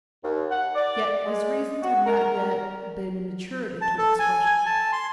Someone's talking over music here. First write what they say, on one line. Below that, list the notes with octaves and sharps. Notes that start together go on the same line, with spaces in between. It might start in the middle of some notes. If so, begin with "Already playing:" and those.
Yet his reasons have not yet been matured into expression.
D#2
F#5
D5
G#3
F#4
A#4
A5
A4
G#5
G#5
A5
C6